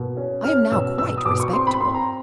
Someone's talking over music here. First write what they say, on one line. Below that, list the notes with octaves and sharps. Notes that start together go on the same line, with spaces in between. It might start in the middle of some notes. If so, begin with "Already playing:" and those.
"I am now quite respectable."
Already playing: B2 A#3
C#4
C#4 F6
B2 E6
B2 E6
D#6
B2 D6
C#6
C4 C6
B5
C4 C6
A#5